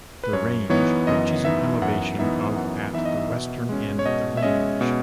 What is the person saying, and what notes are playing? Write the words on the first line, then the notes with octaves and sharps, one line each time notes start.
The range reaches an elevation of at the western end of the range.
B4
F#2 C#5
E3 B3 D#4 C#5
F#2 D#5
E3 B3 D#4 E5
F#2 F#5
E3 B3 D#4 E5
F#2 F#5
E3 B3 D#4 E5
D#5
E5
B2
G#3 C#4
C#5
B2 D#5
E5
G#3 C#4 D#5
B2